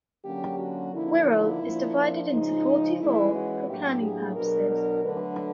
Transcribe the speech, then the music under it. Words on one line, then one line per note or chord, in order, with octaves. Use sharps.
Wirral is divided into forty-four, for planning purposes.
D3 F#3 A#3 C#4 G4
F#4
D3 F3 A#3 D#4 E4
E4
A#2 F3 A#3 D4
C#3 F3 G#3 D#4
E3 G#3 C#4 E4
F#4
A2 F#3 A#3 D4 G4
G#4
B2 F#3 B3 D4 A#4
A#4
D3 F#3 A3 D4 B4